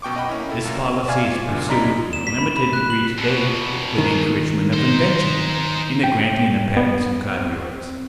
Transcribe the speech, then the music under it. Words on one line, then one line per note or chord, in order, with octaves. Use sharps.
This policy is pursued in a limited degree to-day for the encouragement of invention, in the granting of patents and copyrights.
F#2 B2 G5 C#6 D6
D#5 F#5 G5 B5
A#3 C#4 E4
E4 A4
F#2 A#3 F5
D5 E5 F5 G#5 F6 G#6
F4
D2 A#2
F#2 D4 D#4 A#5 B5 B6
E7
B6
B5
B5
F#6
F#7
E2 B2
D#3
D#4 C5
G5
B3
C4